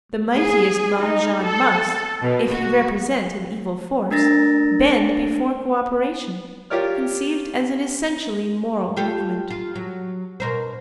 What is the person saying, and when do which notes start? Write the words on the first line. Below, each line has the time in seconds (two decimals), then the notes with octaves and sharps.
The mightiest Mahajan must, if he represent an evil force, bend before co-operation, conceived as an essentially moral movement.
0.36 G#4
1.02 D#4
1.43 A4
2.22 B2
2.52 F#4
4.11 A3 D4 A#4 A6 A#6
6.70 F4 G4 A#4 C#5 D5 F6
8.97 F4 G4 A4
9.50 F4
9.75 F#3
10.40 B2 A#4 C5